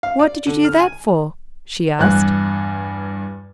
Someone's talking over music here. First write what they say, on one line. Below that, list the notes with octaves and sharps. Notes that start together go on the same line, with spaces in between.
"What did you do that for?" she asked.
F5
D5
D3
F6
G#5
E2 G2 F#6